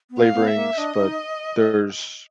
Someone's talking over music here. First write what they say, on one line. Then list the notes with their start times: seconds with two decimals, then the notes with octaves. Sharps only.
flavorings, but there's
0.11 B3
0.18 F5
0.33 B3
0.48 E5
0.55 A#3
0.77 D4 D#5
0.99 D#4